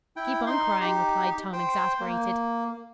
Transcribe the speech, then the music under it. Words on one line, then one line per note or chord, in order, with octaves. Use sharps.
"Keep on crying," replied Tom exasperated.
E4 G5
D#4 C6
D#4 G4
C5 G5
A#3